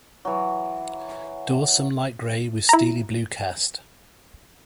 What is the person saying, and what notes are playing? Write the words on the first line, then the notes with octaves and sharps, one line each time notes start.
Dorsum light grey with steely blue cast.
E3 F#3
E4 A#5